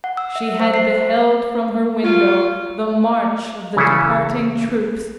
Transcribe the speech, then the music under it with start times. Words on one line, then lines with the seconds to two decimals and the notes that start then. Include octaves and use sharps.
She had beheld from her window the march of the departing troops.
0.04 F#5
0.17 E6
0.36 E5
0.60 C5
0.74 C7
0.90 C5
2.04 F#3 F4
3.76 C#3 E3 C#4 E4 G#4 A4